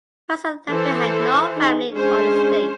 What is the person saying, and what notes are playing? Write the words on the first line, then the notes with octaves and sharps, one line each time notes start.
Franson left behind no family or estate.
E3 A4 C5
D#4 G#4
G#3 C#4 D4 G#4 C5